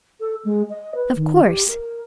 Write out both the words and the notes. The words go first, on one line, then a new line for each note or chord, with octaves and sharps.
"Of course!"
A4
G#3
D#5
B4
D#3
G4
A#4